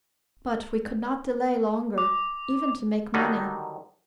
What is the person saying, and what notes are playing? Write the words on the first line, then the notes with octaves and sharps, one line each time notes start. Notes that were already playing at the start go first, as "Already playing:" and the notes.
But we could not delay longer, even to make money.
D6
D3 D#3 F#3 G3 D#4